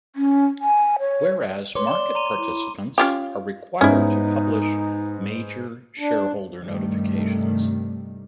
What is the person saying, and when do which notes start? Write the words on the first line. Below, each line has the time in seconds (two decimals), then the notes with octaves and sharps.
Whereas market participants are required to publish major shareholder notifications.
0.16 C#4
0.61 G#5
0.99 C#5
1.75 B4 C#5 C6 D6
1.87 D5 E7 G7
2.15 A#5 C6 D#7
2.37 E4
2.98 C#4 F4 G4
3.81 G#2 G#3 B3 C#4 D#4 E4
5.99 D4
6.60 G2 C3 D#3 G3 A3